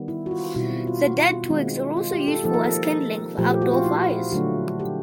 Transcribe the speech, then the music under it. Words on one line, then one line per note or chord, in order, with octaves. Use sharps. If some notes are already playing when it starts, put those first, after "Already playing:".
The dead twigs are also useful as kindling for outdoor fires.
Already playing: D#3 G3 B3
E4
F#4
F4
B2 G3 C4 E4 F#4
E4
F4
F#4
F4
D#3 G#3 C4
F4
G4
A4
F3 A#3 D#4 A4
A#4
A4
A#2 F3 A3 G4
G4
F#4
F4
E4
F4
D3 F#3 A3 D4 F#4
G4